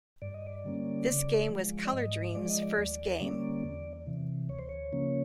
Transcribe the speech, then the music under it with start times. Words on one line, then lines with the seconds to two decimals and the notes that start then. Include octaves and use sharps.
This game was Color Dreams' first game.
0.22 G2 D5
0.34 D#5
0.46 D5
0.64 D3 G3 A#3 C#4
1.07 C#3
1.49 F3 G#3
1.85 D5
1.92 G#2 D#5
2.35 F3 G#3 D5
2.50 D#5
2.62 D5
2.78 D#2
3.21 D3 G3 A#3 C#4
3.64 E2
4.06 C3 E3
4.49 D2 C#5
4.59 C5
4.69 C#5
4.92 C#3 F3 A#3 C#4